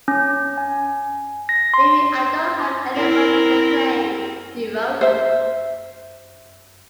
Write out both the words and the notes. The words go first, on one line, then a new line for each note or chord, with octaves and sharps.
"Maybe I don't have any right to complain," he wrote.
C#4
G#5
A#6
C6
C4 E4 A#4
C5 E5